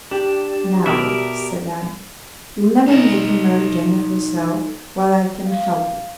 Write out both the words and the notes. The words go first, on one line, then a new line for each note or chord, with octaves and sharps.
'Now,' said I, 'you'll never make a Mary Jane of yourself while I can help it.
D4 G4
B2 A#4 D5 E5
D#4 A4 D#5
F5